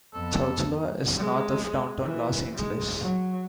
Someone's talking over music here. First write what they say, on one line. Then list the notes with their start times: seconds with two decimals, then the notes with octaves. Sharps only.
Chowchila is north of Downtown Los Angeles.
0.14 F2 B3 A4
1.17 G#3
2.03 E3
2.55 G#3
2.99 F#3